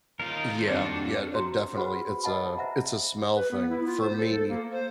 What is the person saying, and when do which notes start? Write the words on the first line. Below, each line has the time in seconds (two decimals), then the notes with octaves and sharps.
Yeah, yeah, uh, definitely. It's a it's a smell thing. For me,
0.19 D#2 D#4 F4 A#4
0.67 F2 G3 D4 F#4 A4
1.34 F#4 C5 A#5 C6
1.74 F#4 G#4 B4 C5 F#5 B5
2.23 B4 D#5 F#5 A5 B5
2.58 C5 E5 F#5 A#5
3.36 B4
3.51 B3
3.70 E4
3.86 F4
4.01 C5
4.17 A4
4.31 A4
4.49 A#3
4.72 C5